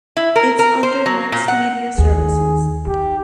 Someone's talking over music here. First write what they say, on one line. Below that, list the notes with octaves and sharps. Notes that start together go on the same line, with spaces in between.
Its under Next Media Services.
E4
A#4
A#4
C5
F#3
A#2
F#5
D#2 D#3 G#4
D#4 G4